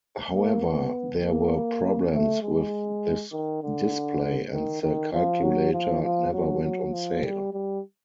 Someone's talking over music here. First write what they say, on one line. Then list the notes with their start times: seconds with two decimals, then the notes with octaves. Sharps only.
However, there were problems with this display and the calculator never went on sale.
0.32 A#3
0.62 B3
1.22 A#3
2.12 A3
2.42 G#3
3.32 D#3
3.63 D3
4.53 D#3
4.83 D#3
5.13 F3
5.43 F#3
5.73 F3
6.03 F3
6.33 F#3
6.63 F#3
6.93 F3
7.23 G3
7.53 G3